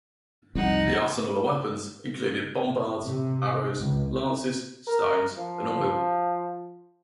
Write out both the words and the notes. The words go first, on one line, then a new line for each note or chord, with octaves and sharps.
The arsenal of weapons included bombards, arrows, lances, stones and oil.
C2 F2 D#4 F#5
C3
C#2
A#4
F3